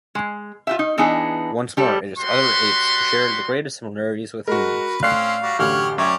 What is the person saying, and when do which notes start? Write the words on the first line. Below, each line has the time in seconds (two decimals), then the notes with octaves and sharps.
Once more it is other apes who share the greatest similarities with humans.
0.15 G#3
0.67 F4 G4 E5
0.79 D#4
0.98 E3 B3 D4 D#4 G#4
1.77 G3 G4 A4
2.18 G3 F#4 B4 C6
4.48 G#3 F#4 A#4 B4
5.03 A2 C4 C#4 D5 F5 F#6 C7
5.42 G3 F#4
5.59 A1 F#2 D3 G4 C#5 F5 F#5 F6
5.98 F#2 C#4 C#5 D5 E5 G5